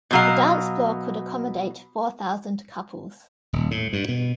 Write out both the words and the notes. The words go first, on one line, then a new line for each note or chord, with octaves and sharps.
The dance floor could accommodate four thousand couples.
B2 F#3 F5
D#1
A2
G2
B2